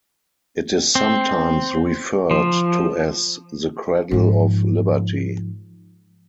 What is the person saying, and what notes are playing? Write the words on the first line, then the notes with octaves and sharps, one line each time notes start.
It is sometimes referred to as "the Cradle of Liberty".
C4
F3
G#2 F3